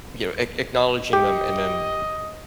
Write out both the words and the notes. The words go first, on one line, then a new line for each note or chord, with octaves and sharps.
you know, ac acknowledging them and then
G4 D#5